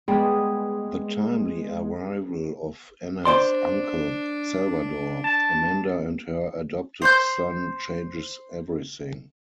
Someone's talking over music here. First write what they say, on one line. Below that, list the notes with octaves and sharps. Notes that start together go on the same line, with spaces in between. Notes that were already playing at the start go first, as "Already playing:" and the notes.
The timely arrival of Ana's uncle, Salvador, Amanda and her adopted son changes everything.
G3 G#3 B3 G#4
D4 C5 D5 C6
A5
C5 C6 G6